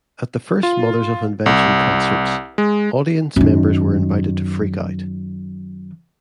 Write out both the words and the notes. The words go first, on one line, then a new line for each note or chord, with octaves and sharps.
At the first Mothers of Invention concerts, audience members were invited to freak out!
F4
C2
G#3
F#2 D#3